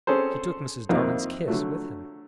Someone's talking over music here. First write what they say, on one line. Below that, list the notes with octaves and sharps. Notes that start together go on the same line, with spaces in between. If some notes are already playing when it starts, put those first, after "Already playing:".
He took Mrs. Darling's kiss with him.
C4 C#4 G#4 A4 C5
F2 C3 D#3 A#3
D3 F#3 A3